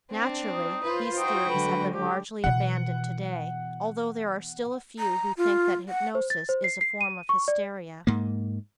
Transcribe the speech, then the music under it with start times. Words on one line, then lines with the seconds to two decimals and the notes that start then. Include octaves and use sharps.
Naturally, these theories have been largely abandoned today, although there are still a few who think that hypnosis is a form of hysteria.
0.11 C4 D4
0.52 D#4
0.83 F4 B4 C5
1.18 D#4 F#4 G5
1.49 D3 F#3 G#3 B4
1.93 G4
2.44 B2 E3 F#5
4.99 A#5
5.37 F4
5.89 F#5
6.15 C5
6.30 A6
6.49 C5
6.64 C7
6.81 C7
7.01 D#7
7.29 C#6
7.48 D5
8.07 G#2 A#3